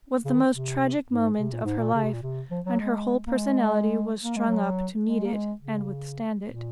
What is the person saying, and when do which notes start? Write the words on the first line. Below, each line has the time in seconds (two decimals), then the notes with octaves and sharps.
It was the most tragic moment of her life, and her whole personality was strung up to meet it and withstand it.
0.25 C#3
0.34 D#3
0.53 C3
1.09 G#2
1.38 C3
1.52 A#2
1.64 G#2
1.78 A#2
1.94 C#3
2.04 C3
2.13 A#2
2.23 C3
2.51 F3
2.66 F#3
2.80 G#3
3.27 A#3
3.36 G#3
4.23 A#3
4.36 G#3
4.48 F#3
5.05 G#3
5.25 A#3
5.33 G#3
5.61 C#3
6.46 A#2